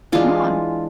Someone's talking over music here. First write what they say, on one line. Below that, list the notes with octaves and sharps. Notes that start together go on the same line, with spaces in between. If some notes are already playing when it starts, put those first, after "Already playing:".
Come on,
E3 G#3 D4 F4